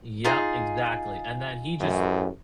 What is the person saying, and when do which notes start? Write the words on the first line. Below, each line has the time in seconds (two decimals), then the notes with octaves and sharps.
Yep, exactly, and then he just
0.24 D#4 F4 G#4
1.80 A1 F#2